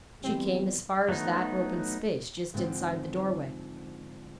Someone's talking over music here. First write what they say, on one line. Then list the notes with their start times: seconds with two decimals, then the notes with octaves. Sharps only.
She came as far as that open space just inside the doorway.
0.24 B2 E3 G3 C4
1.09 F#3 A3 B3 D#4
2.54 G#2 D3 F3 C4 D#4